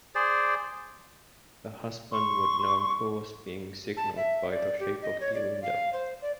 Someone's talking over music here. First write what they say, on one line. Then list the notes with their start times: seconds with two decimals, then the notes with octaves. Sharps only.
The husband would know who was being signalled by the shape of the window.
0.15 G#4 C5 D5
2.11 C6 C#6
3.97 A5
4.16 E5
4.50 D5
4.80 G4
5.02 D#5
5.20 C#5
5.35 D5
5.62 F5
5.93 C5
6.22 D5